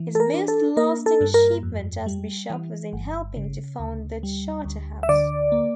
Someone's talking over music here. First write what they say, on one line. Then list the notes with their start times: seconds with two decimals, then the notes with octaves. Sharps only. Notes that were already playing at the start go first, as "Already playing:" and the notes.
His most lasting achievement as bishop was in helping to found the Charterhouse.
Already playing: E3
0.15 A4
0.20 A#4
0.34 D4
0.48 A4
0.77 A#3 A#4
1.06 A4
1.21 G2
1.34 A#4
1.63 F2
2.06 G3
2.50 E3
2.93 G1
3.37 C#3
3.79 D2
4.23 G3
4.65 D2
5.03 E5
5.09 D3 D5
5.52 A#3